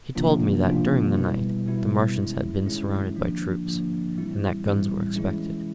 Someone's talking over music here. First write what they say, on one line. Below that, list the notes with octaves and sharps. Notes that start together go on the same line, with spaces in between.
He told me that during the night the Martians had been surrounded by troops, and that guns were expected.
C3 F3 A#3 D4 F4
C3 F3 A#3 D4 F4
B2 G3 B3 E4
B2 G3 B3 E4
D#3 G#3 C#4 E4
D#3 G#3 C#4 E4
D3 F3 A#3 D4
D3 F3 A#3 D4
A2 E3 G3 C4 E4
A2 E3 G3 C4 E4
E3 G#3 C#4 E4